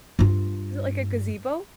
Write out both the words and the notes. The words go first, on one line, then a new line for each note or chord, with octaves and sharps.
Is it like a gazebo?
G2 F4